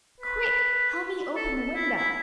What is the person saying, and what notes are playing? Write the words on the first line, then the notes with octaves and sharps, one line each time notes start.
"Quick, help me open the window."
B4
A4
E4
E4